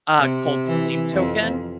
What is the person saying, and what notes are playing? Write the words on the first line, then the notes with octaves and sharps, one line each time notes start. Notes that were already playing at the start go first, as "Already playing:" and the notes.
uh, called Sleep Token.
C3
E3
F2